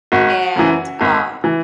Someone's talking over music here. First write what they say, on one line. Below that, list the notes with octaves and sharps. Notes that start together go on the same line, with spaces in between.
and, um,
G#1 F#4
F#2 E3
G#1
E3